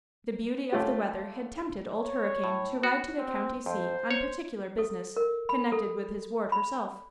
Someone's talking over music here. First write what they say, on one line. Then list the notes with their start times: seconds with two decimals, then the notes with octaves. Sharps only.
The beauty of the weather had tempted Old Hurricane to ride to the county seat on particular business connected with his ward herself.
0.72 A3 C#4 F4 G4
1.97 C#5
2.44 A2
2.83 F#4
3.18 C4
3.66 F2 C5
4.11 C#5
4.78 A4
5.17 A#4
5.49 B5
5.72 A4
6.52 B5